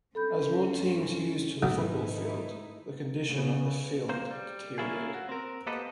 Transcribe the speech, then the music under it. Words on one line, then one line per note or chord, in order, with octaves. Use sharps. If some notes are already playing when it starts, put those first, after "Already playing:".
As more teams used the football field, the condition of the field deteriorated.
G2 C4 C#4 A4 B5 G6
B1 G#2 D#3 F3 A3 D#4 E4
C#3 B3
A#3 C4 C5
G3
A#3 C#4 E4 F4 G#4
F#4
C4 A#4
A#3 B3 G4 A4 B4 D#5